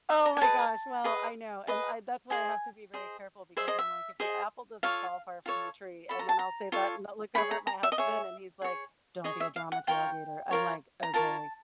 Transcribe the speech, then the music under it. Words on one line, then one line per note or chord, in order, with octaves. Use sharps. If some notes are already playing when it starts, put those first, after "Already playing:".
Oh, my gosh. Well, I know. And I that's why I have to be very careful because I'm, like, "If the apple doesn't fall far from the tree." And then I'll say that, and I'll look over at my husband and he's like, "Don't be a drama tailgater." I'm like, "Okay,
E5
A#5
G#5
G#4 B4 D#5 A5
G#4 B4 D#5
G#4 B4 D#5
G#4 C5 D#5 G#5
G#4 C5 D#5
G#4 C5 D#5 E5
D#5
E5
G#4 C5 D#5
F4 A4 C#5 F5
F4 A4 C#5
F4 A4 C#5 B5
A#5
A5
A#5
F4 A4 C#5
G#4 C#5 B5
A#5
A#5
E5
D#5
G#4 C#5 E5
G#4 C#5
G#4 C#5 D#5
E5
F5
F#5
F4 A#4 C#5 G5
F4 A#4 C#5
A#5
F4 A#4 C#5 A5